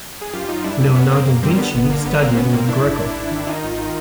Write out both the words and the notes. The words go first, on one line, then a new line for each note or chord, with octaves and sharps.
Leonardo Vinci studied with Greco.
G#4
F#2 F4 G4
F#2 D#4 F4
G3 D4 E4
F#2 D4 E4
F#2 B3 C#4
F#2 A#3 C4
F#2 A#3
G3 A#3 C4
D3 B3
G1 B3
D3 A#3
G1 B3
G1 A#3 C4
G1 B3 C#4
G1 A#3 C4
G2 D4 E4
G#1
G#1
G#1
D#3
D#3 D#4 F4
G#1
D#3